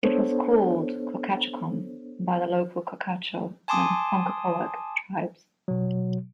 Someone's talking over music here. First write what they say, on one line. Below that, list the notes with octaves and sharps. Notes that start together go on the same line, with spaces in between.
It was called Cochaticquom by the local Cochato and Ponkapoag tribes.
B3 D4 A4 C5 C#5
G#5 A5 C6 D6 D#6
B2 F#3